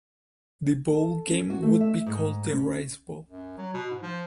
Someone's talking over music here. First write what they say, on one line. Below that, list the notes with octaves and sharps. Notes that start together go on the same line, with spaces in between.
The bowl game would be called the Rice Bowl.
A4
C#4
F#4
A3
E5
G#2
C#4
F#2
F#3
B2
G#2
F3